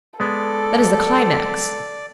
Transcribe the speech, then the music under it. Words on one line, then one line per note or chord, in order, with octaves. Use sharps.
That is the climax.
G#3 B3 A4 D5